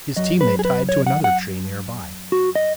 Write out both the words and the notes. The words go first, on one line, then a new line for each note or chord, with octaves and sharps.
His team they tied to another tree near by.
F#2 F#3 D#5
B4
G#4
B4
C#5
F#5
F#5
F#4
D#5